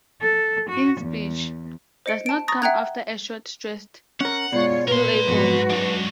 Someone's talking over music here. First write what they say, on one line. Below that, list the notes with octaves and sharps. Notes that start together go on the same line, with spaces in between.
In speech, does not come after a short stressed syllable.
A4
F#4
E2
C5 D#5 C#7 D7
A5 D7
A#5 C#6 D#6 A6 A#6
E5 F#5 G5 A#5 F#6 G#6
C#4 A#4 F#5
B2 G#3 F4 C#5 D5
A#2 A#4 B4 C6
F2 G#2 B2 F#3 F#4
F#2 G#3 D4